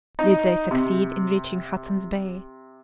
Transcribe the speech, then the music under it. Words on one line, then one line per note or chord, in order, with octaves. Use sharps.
Did they succeed in reaching Hudson's Bay?
D#4
C3